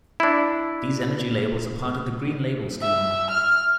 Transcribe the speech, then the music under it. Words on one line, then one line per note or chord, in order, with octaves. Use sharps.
These energy labels are part of the Green Label Scheme.
D4 E4
E5
F6